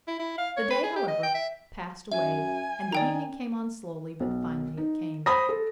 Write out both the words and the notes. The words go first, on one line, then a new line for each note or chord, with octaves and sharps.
The day, however, passed away; and the evening came on slowly, but finally it came.
E4
E4
F5
C#5
B4
G#4
G4
D#5
G5
E5
F#2 E5 G#5
D#3 D5 G5 A#5
B1
D#4
C5 B5 D#6 A#6
A4